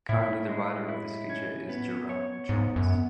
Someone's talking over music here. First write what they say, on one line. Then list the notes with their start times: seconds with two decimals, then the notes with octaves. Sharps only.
Currently the writer of this feature is Geraint Jennings.
0.09 A2 E4
0.49 G#3
0.88 E4
1.30 C#4
1.69 B3
2.09 C#5
2.49 G#2 B3
2.76 F#2
2.90 B3